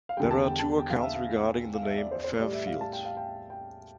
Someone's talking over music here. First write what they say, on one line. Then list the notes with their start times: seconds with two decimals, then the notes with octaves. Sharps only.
There are two accounts regarding the name "Fairfield".
0.09 F5
0.17 E2 D3 G3 G5
0.31 A5
0.45 G5
0.59 A5
0.79 G5
0.90 F5
1.00 E5
1.15 F5
1.75 F5
1.83 E5
1.97 D5
2.11 C5
2.24 C5
2.39 A2 G3 D5
2.52 E5
2.67 F5
2.81 A5
2.93 G5
3.05 F5
3.17 G5
3.50 G5